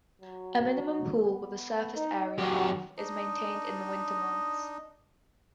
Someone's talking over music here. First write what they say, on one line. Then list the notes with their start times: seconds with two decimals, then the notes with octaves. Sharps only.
A minimum pool with a surface area of is maintained in the winter months.
0.22 F#3
1.27 B3
1.96 D#4
2.39 F#2 F#4 G4
2.98 D4 D#4 D#5